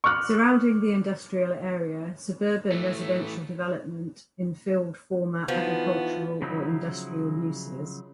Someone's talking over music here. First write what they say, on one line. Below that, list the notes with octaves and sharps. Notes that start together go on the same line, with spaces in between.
Surrounding the industrial area, suburban residential development infilled former agricultural or industrial uses.
C#6 D6 F6 F#6
E3 A3
E3 F3 B3 D#4 F#4
C#3 F3 F#3 D#4 E4